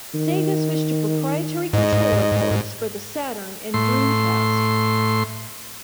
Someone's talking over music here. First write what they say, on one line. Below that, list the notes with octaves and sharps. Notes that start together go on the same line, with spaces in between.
Sega switched to proprietary controller ports for the Saturn and Dreamcast.
D#3
G#2 D#5
A2 C6